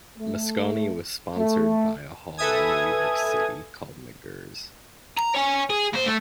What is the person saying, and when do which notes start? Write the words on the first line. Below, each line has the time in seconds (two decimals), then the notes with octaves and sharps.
Mosconi was sponsored by a hall in New York City called McGirr's.
0.18 A3
1.37 A3
2.38 A4 B4 E5 G#5 D#6 G#6
5.18 A#5
5.35 C#5 G#5
5.70 G#4
5.93 A#2 C5
6.06 A3